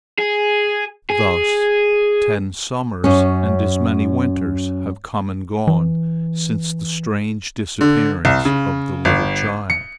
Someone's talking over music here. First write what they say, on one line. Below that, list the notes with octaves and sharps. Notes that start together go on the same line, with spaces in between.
Thus ten summers and as many winters have come and gone since the strange disappearance of the little child.
G#4
G#4
F#2 C#4
E3
D3
C2
C#3
G1
C#7